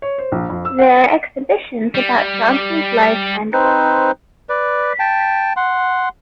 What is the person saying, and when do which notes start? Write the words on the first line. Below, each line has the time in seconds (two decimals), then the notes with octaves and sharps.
There are exhibitions about Johnson's life and work.
0.02 C#5
0.18 C5
0.32 A#1
0.50 F2
0.65 E6
0.79 F#5
1.95 G3
3.53 C4 D#4 B4 C5
4.49 B4 D5
4.99 G5 A5
5.56 F#5 C6